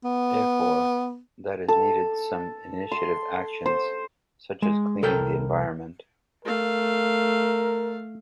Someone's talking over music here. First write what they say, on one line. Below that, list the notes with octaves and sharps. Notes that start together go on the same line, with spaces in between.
Therefore, that is needed some initiative actions such as cleaning the environment.
B3
A4
C6
C5
G#3
C2 A4 A#4 G5
A3 A#4 F5